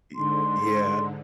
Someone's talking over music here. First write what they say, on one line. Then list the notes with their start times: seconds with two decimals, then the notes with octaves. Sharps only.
Y yeah.
0.15 G#2 D3 C6